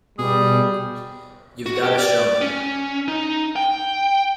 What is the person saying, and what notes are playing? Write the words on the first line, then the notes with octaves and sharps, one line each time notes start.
You've got to show me.
B2 G3 G#4
F#4
G4
D5
C#4
D#4
G5